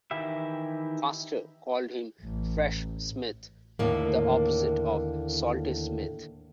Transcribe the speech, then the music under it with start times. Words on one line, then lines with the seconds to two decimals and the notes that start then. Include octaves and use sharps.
Custer called him "Fresh" Smith, the opposite of "Salty" Smith.
0.11 D#3 E3 E4 G4 E5
2.21 A1
3.79 D#2 A2 D3 A#3